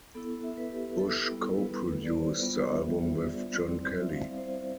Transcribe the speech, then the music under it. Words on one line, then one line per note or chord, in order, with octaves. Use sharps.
Bush co-produced the album with Jon Kelly.
B3 E4 A4
E5
B4
G4
A4
G3 B3 E4 A4
B4
D5
C5
G3 B3 D4 F4
E5
D5
G3 C4 E4
C5
E5
F5
C5